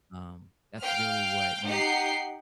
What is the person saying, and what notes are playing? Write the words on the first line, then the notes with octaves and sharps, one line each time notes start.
um, that's really what makes
F5 G5 F6
D#4 G4 F#5 G5 C7